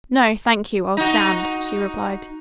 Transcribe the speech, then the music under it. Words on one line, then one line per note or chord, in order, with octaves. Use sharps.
"No, thank you, I'll stand," she replied.
D#4 F#4